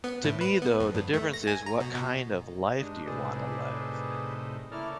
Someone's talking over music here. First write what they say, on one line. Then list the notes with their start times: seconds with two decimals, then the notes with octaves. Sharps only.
To me, though, the difference is what kind of life do you wanna live.
0.04 B3
0.24 A2
0.41 B4
0.62 B3
0.80 F2
0.94 G2
1.14 A3
1.33 A#6
1.47 G#5
1.66 A#5
1.80 B2
1.94 B2
2.80 G2 G#3 D4 D#4
3.07 A2 C3 D#4 G#4 B4 D5
4.72 C#3 A#3 E4 A4 D5 F6